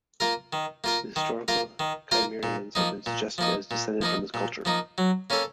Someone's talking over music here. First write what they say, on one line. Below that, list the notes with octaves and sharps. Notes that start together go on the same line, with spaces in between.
The historical Cimmerians have been suggested as descended from this culture.
A#3 F4 A#4
D#3
A#3 F4 A#4
D#3
A#3 F4 A#4
D#3
A#3 F4 A#4
A#2
F3 A#3 D#4
A#2
F3 A#3 D#4
A#2
F3 A#3 D#4
A#2
F3 A#3 D#4
F#3
A#3 C#4 A4